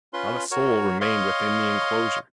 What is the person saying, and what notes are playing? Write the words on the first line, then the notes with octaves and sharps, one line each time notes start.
Not a soul remained within the enclosure.
C#4 F4 B4 C6
F#4 A#4 C#5
C#5 D#5 F5 C6